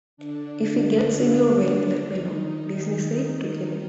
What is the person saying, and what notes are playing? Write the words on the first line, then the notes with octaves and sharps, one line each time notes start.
"If he gets in your way, let me know", Disney said to Kinney.
D3 D4
D#3 D#4
D#3 D#4